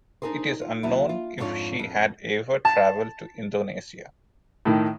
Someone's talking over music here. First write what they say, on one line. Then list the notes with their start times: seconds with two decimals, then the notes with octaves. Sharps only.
It is unknown if she had ever traveled to Indonesia.
0.22 D4 D#4 F#4 G#4 A#4 C5
0.61 F4
0.83 D#2 F#3 D4 E4
1.09 F4
1.38 F2 G#2 D4 F4 A#4 C#5
1.79 F2
2.65 A5
4.65 A2 D#3